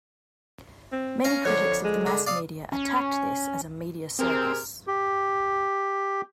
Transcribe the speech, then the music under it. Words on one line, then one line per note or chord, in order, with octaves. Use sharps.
Many critics of the mass media attacked this as a "media circus".
C4
C#4 A#4 F5 A#5
F2 D3 C#5
G#3
D3
D5 F5 D#6
C#4
C3 C4 G#4 A#4
G4